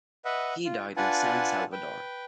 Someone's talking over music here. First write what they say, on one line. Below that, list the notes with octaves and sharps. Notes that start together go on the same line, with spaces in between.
He died in San Salvador.
B4 D#5 E5 F#5
F4
D4 F4 B4 F#5 G#5 A5
B4 G5